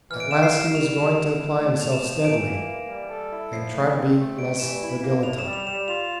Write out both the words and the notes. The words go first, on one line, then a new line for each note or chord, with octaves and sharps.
At last he was going to apply himself steadily and try to be less the dilettante.
E3 F6
D7
A#3 E7
C7
G2 E7
G3 F7
G2 E7
D3
E4
A3
G2 F7
E7
F3
E7
E3 D7
A#3
E3
G3
A4
E4
F3 C7
A3
C4
A3
G2 D7
E3 E7
E4
A#3
A2 F7
E7
G3
F7
G3 E7
F4 F7